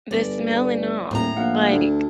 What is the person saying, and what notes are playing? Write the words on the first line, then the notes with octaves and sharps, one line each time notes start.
The smell and all, like
G1 D5
D#1 A2 A#5
A#1 F5 F#5
D2 D4